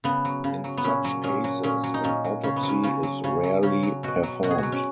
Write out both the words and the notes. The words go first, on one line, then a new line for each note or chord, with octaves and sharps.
In such cases, an autopsy is rarely performed.
C#3 B3
F#3
C#3
F#3
B3
A#2 C#4
F#3
A#2 C#4
F#3
A#2 C#4
F#3
D#4
A#2 C#4
F#3
C#3 C#4
B3
F#3
C#4
C#3 C#4
F#3
C#3 C#4
F#3
C#3 C#4
F#3
B2 F#4
F#3
B2 F#4
G#4
F#3 F#4
C#4